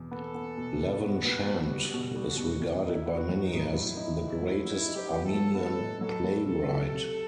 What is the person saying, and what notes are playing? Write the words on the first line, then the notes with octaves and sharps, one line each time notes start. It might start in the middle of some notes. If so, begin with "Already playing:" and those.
Levon Shant is regarded by many as the greatest Armenian playwright.
Already playing: E2 B2
B3 A4
B3
B2
B2
B3 F#4
B3
B3
G3
B2
G3
B2
E2
D#4 E4
B3
F#4
F#3
D#4
A2
F#3 E4
D#4
D#4
F#3
F#3 E4
D#4
G4
B3
A4
F#3
B3 A4
A2
F#3 A4
F#3
C3 A4
F#3
C3